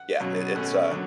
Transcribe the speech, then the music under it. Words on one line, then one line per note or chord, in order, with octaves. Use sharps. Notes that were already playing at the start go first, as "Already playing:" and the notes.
Yeah, it it's, uh,
Already playing: F#5
B2 F#3 C#4
B2 A3 C#4 F#5
D3 F#3